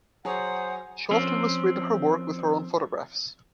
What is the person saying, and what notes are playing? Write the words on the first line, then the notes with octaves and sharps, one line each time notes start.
She often illustrated her work with her own photographs.
F#3 G#4 C5 C#5 F#5 D#6
F3 C4 C#4